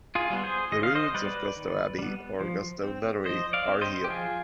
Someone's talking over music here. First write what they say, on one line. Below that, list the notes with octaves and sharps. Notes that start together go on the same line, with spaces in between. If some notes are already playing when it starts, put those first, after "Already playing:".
The ruins of Godstow Abbey, or Godstow Nunnery, are here.
F4 G#4
G3 B3
G#4 C5
D#3 D#5
F5
C5 D#5
G3 B3 B4 D5
D#3
G3 B3
F3
C4
F3 C5 D#5
D5 F5
C4
C5 D#5
G4
F3 F4 G#4